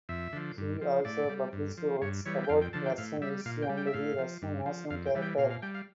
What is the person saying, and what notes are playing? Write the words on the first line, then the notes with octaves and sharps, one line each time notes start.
He also published works about Russian history and the Russian national character.
F2 E5
D3 F3
G2
F3
A2 D5
G3
G2
F3
G2 C#5
E3 G3 C#5
G5
F2 F5
G5
D3 F3 A5
G5
A2 F5
G3 E5
A#2 F5
G5
G3
G5
E5
A2 F5
F3
G2
F3
F2 F5
G5
E3 G3
G5
A#2 F5
F5
G3 G5
F5